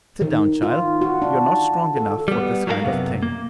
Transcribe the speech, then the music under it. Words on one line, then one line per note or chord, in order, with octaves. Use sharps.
"Sit down, child; you are not strong enough for this kind of thing."
D#3
F4
F#4
D4
A4
G3 B3
F#3 G3 F#4 A4 A#4 F5
B1 F#2 C3 B3
A#3